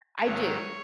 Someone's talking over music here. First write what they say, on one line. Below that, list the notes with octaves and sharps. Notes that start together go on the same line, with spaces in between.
I do.
G#2 D#3 F#3 C#5